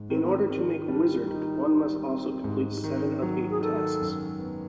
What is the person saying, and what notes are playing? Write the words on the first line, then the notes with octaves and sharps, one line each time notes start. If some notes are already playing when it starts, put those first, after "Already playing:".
In order to make Wizard, one must also complete seven of eight tasks.
Already playing: G#2
D#3 C4
B3
C4
D#3 C4
D#4
G3 D4
D#3 D#4
G3
C4
G#2
D#3
F#3
G#4
D#3 A4
F#2
B3